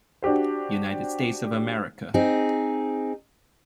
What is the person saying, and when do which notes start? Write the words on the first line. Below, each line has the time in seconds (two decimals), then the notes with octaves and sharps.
United States of America.
0.22 D4 F#4 G4 C5
2.14 C4 D#4 G#4